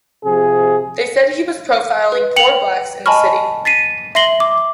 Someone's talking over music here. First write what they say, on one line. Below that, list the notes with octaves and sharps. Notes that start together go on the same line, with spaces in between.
They said he was profiling poor blacks in the city.
C3 F3 G#4
B4
G5 C#7 F7 F#7
D#5 G#5 A5 B5 C#6 F6
A6 B6 C7 D#7
E5 C6 A#6 C7 F#7 G7
D6